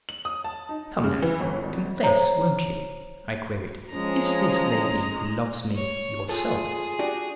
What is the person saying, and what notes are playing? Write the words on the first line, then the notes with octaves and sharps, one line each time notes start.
"Come now, confess, won't you," I queried, "is this lady who loves me yourself?"
F#7
D#6
A5
D#4
C#3
E3
G1
G#1
A4 C5 C#5 A#5
F3 G#3 C#4 A#5
C#5
F4 G#4 A4
D4 F#4 G4